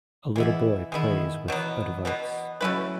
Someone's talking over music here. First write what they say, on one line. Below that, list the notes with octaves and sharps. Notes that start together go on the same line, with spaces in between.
A little boy plays with a device.
E3 G#3 B3 E4
D#3 G#3 B3 E4
B2 E3 F#3 B3
B2 F#3 B3
F#3 A3 C#4 E4 B4